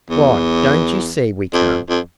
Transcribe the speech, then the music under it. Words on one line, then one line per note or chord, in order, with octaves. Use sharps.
"Why, don't you see we can't?"
E2
F2
F2